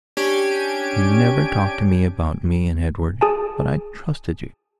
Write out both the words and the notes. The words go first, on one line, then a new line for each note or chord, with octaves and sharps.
You never talked to me about me and Edward, but I trusted you.
C#4 D4 G4 G#5 G#6 D7
G#4 G#5 A5